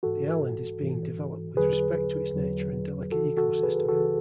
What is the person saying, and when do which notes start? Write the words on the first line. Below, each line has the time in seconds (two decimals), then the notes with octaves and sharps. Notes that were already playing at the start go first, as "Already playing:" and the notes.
The island is being developed with respect to its nature and delicate ecosystem.
0.03 G#2 E3 F#4 A4
0.81 G#2 E3
1.57 E2 D3 F#3 G#4 B4
2.34 E2 D3 F#3
3.12 C#2 C#3 E3 F#4 A4
3.37 F#4 A4
3.63 G#4 B4
3.88 C#2 C#3 E3 F#4 A4